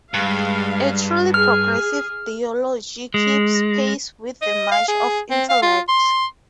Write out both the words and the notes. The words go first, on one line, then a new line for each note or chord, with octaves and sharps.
A truly progressive theology keeps pace with the march of intellect.
G2 G#3 F5
G#4 F6
G#3
D#5
F5
G#4
C4
F5
F4
C6